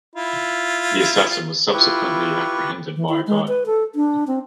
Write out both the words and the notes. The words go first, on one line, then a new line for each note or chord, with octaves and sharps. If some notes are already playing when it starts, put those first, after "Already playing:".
The assassin was subsequently apprehended by a Guide.
E4 F4
E4 F4 G4 B4 C#6
E3
E4
G#3
B4
A4
D4
C4